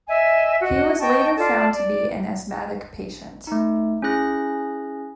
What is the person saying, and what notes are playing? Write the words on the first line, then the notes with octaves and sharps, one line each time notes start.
He was later found to be an asthmatic patient.
D#5 E5 G#5
F#4 D#5
D#5 G5 A5 C#6
F4 A4 D5 A5
D5
A3 D#4
C#4 E4 G#4 F#6 A#6